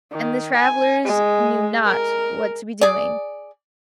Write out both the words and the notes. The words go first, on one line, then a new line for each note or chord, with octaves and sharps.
And the travellers knew not what to be doing.
D#3
G#5
G#3
A#4
G#4 D5